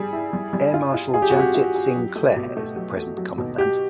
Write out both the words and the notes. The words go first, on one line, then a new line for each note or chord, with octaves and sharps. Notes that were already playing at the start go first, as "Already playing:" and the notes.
Air Marshal Jasjit Singh Kler is the present commandant.
Already playing: G3 G#4
E4
G3
G3
F4
F4
F4 G#4
G4
F#4
C4 G4
F4
G#4
F#3
A3
B2
A3
F#3
A3
F#3
B2
F#4 G4